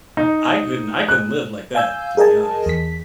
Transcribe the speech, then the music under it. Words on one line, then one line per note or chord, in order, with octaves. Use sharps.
I couldn't I couldn't live like that, to be honest.
D#4
F#6
F5 G#5 E6 G6
G#4 A#4 D#5 G#5 A5
E2 B6